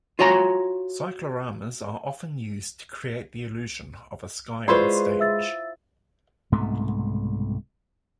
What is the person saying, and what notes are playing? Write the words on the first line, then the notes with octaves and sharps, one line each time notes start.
Cycloramas are often used to create the illusion of a sky onstage.
F4 F#4 C#5 G#5 A#5
G#3 E4 F4 B4 C5 D5 C6 C#6
E5 E6 A6
C2 G#2 B2 A3